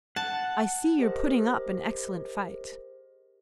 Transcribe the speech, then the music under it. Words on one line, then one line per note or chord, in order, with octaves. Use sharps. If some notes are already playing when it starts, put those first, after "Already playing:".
"I see you're putting up an excellent fight."
F#5 A5
G4 G#4 A#4 C5 D#5